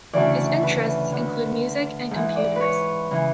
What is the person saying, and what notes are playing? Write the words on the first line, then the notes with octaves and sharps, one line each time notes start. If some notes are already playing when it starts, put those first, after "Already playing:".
His interests include music and computers.
D2 C#3 E3 D5
B4
D2 D3
G#2 E3
D5
B4 C#5
C#3 E3